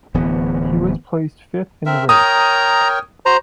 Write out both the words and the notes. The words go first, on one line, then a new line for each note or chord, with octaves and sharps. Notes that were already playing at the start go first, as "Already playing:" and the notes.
He was placed fifth in the race.
D1 E3 B3
C4 A#4 E5
A#4 C#5 G5 A#5 D#6
F#4 C5 A#5